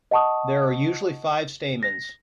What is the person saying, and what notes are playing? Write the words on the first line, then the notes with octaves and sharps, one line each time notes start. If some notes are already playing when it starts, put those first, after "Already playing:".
There are usually five stamens.
D#5 F#5 A5 C#6 D#6
A#6